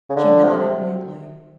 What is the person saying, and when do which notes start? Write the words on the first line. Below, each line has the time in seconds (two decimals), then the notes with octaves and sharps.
She nodded mutely.
0.10 C#3
0.16 D3
0.44 C3